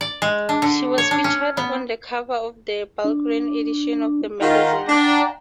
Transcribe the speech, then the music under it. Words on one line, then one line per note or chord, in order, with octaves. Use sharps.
She was featured on the cover of the Bulgarian edition of the magazine.
D5
G#3
D4
D3
C#5
D4
C#4
B3
D4
D#3 D#4 F4 F#5 G5 A#5
D4